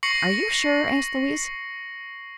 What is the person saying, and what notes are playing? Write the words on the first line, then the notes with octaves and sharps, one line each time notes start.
"Are you sure?" asked Louise.
C#6 A#6 C7 C#7 F#7